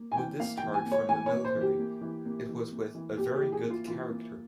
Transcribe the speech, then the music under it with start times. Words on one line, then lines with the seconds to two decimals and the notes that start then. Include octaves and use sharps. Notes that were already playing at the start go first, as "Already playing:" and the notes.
When discharged from the military it was with 'a very good character'.
Already playing: A#3
0.12 G#5
0.16 E3 G5
0.40 A#3 F5
0.58 G5
0.63 E3
0.74 G#5
0.86 A#3
0.92 C#5
1.09 E3 G#5
1.26 C#5
1.32 A#3
1.45 C5
1.55 E3
1.61 G4
1.79 A#3
2.01 E3
2.25 A#3
2.49 E3
2.72 A#3
2.95 E3
3.18 A#3 G4
3.36 E3 G4
3.52 G#4
3.64 A#3
3.71 F4
3.88 E3 F4
4.10 A#3